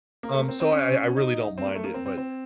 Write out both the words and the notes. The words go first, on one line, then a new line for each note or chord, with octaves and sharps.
um, so I I I really don't mind it, but
A#3
A3
A#3
C4
C4
C#4
D#4
C4
A#3
A3
A#3
C4
C4
C4